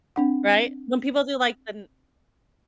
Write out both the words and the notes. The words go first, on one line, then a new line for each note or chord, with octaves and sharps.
right? When people do, like, the
C4 D4 F#5